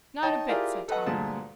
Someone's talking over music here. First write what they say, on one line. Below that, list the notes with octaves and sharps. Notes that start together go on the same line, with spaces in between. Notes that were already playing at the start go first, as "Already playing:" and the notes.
"Not a bit," said Tom.
D#4 C#5 D#5 G5 A5
E4 F4 G4 G#4 A#4 D5
A4 B4 D#5 F#5
D2 G2 A#2 G#3 A5